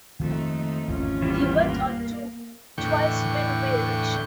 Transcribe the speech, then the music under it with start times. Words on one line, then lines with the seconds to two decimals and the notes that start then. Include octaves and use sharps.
He went on to twice win re-election.
0.20 F2 D#3 F3 A3 A#3 D#4
0.88 G#1 E2 D3 C#4 F4
1.22 E3 G3 B3
1.60 A#3
2.78 E2 A2 D3 G5 C#6